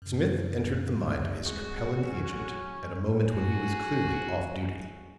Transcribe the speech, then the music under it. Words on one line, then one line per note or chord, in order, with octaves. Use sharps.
Smith entered the mind of his Capellan agent at a moment when he was clearly off duty.
F#2 C#3
C2 G#3 F#4
F#3 C#4
F#4 G#4